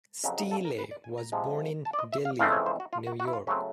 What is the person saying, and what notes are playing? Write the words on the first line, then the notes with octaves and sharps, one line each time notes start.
Steele was born in Delhi, New York.
F2 C#3 F#3 C#4
D#4
A4
A#4
B4
D5
G#5
A#5
C3 F3 G#3
A5
D5
D#5
E5
F5
F2 C#3 E3 A3 C4 F5
C#5
C5
F#4
F4
F#4
F#4
E4
F4
C#3 F#3 A3 C4 C#4